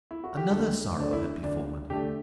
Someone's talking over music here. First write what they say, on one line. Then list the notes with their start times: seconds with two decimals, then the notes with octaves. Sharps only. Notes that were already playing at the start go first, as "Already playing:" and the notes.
Another sorrow had befallen him.
0.11 E4
0.24 F#4
0.37 G4
0.50 D2 A4
0.97 D3 A3 D4
1.13 E4
1.43 D2 D4
1.90 D3 A3 G4